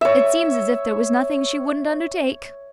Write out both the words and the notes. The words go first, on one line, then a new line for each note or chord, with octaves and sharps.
"It seems as if there was nothing she wouldn't undertake."
C#5 E5